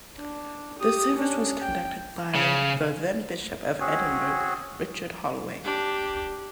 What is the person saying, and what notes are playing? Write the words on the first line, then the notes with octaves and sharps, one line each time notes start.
The service was conducted by the then Bishop of Edinburgh, Richard Holloway.
D4
G4 D#6
C#4 D4
G5
C#3
C4 C#4 F#4 G#4
D4 G4